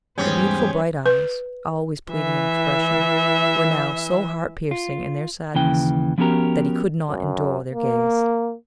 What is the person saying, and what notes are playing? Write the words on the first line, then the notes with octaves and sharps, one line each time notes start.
The beautiful bright eyes, always pleading in expression, were now so heart-piercing in their sadness, that he could not endure their gaze.
E2 G#2 G3 B3 C#4 G4 G#4 C5
B4
E3 E5
F4
D#2 C#3 E3 G5
F3 B3 C#4 F#4 G4 A#4
F#2
A#3